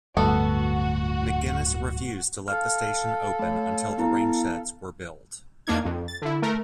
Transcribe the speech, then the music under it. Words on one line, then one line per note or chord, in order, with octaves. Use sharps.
McGuinness refused to let the station open until the rainsheds were built.
D1 D2 G2 A3 B3 F#4 A4
A4 F5 F6
A3 C#5
B3 E4 A#5
E2 A#3 D4 D#4 G#6
F2
A6
D3 E4
A3 A#4